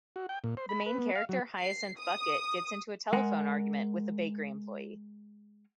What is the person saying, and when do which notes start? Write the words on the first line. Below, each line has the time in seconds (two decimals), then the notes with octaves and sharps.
The main character, Hyacinth Bucket, gets into a telephone argument with a bakery employee.
0.16 F#4
0.29 G5
0.44 A#2
0.57 C5
0.69 B5
0.86 B4
0.98 B3
1.16 F5
1.29 F#3
1.60 C7
1.99 D#6
3.13 G#3 A#4 F#5